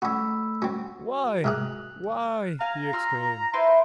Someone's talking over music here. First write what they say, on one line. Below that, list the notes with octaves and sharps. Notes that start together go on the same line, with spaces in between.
"Why--why!" he exclaimed.
A3 C#4 F#4 B5 E6
C4 C#4 F#4
G#2 C3 G#4 F6 F#6
F5 G#5 A#5
F4 E6 F6
E4 B4 C5 C6